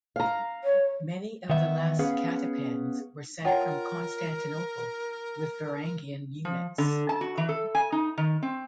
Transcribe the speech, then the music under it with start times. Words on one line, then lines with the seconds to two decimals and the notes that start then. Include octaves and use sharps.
Many of the last catepans were sent from Constantinople with Varangian units.
0.16 F5 A#5
0.64 C#5
1.50 D#3 B3 E5
1.99 B3 C#4 G#4 B4 F5
3.45 F4 A#4 C#5 F#5 G5 A5
6.45 F3
6.78 D3
7.09 A5
7.21 F#4
7.38 E3
7.49 A4
7.75 G#5
7.92 D#4
8.18 D#3
8.43 C4